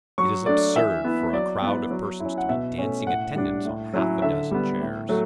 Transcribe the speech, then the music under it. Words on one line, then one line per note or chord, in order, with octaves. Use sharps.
It is absurd for a crowd of persons to be dancing attendance on half a dozen chairs.
F#3 C#6
A3 D4 D5
E3 E5
B3 E4
F#3 D5
B3 E4
F#3
C#4 E4
F#5
B2 E5
A3 C#4
A2 F#5
G3 D4
A2
F#3 C#4 E4
D3 E5
G3 B3
A2
F#3 A3